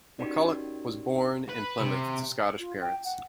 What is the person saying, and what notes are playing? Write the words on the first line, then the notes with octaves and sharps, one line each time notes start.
McCulloch was born in Plymouth to Scottish parents.
C#4 D#4 F#4 G4 A#4 D5
B4
C3
F4
G5
F#5